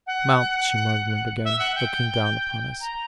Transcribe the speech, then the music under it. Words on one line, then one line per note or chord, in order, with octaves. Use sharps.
"Mount," she murmured again, looking down upon us.
F#5
E5
F#5
G5
A#5